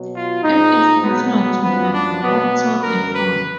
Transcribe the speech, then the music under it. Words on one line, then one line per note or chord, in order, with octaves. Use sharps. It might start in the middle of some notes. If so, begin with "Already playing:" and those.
It is considered to have a Motown influence.
Already playing: B2 F#3
F4
G#2 F3 D#4
B2 F#3 B3
F#2 F3 B3
D4
B2 F#3 B3
F#2 D3 F#3 A#4
B4